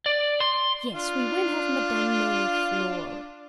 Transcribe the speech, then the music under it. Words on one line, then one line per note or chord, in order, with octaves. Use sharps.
Yes, we will have Madame Mirliflore.
D5
C6
D4 F4